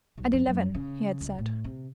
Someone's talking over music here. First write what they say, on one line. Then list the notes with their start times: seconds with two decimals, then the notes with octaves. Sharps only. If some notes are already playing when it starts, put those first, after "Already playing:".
'At eleven,' he had said.
0.18 B1
0.33 F2
0.47 F#2
0.74 C#3
1.21 C#2
1.38 A2
1.64 C3